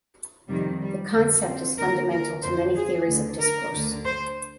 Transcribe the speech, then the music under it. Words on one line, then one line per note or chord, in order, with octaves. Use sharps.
The concept is fundamental to many theories of discourse.
F2 C3 D#3 G3
G3
F2 D3
C4
D#2 D3 A#4
A#4
F2 D3 C5
G#4
D2 D3
A#4
D2 D3
C5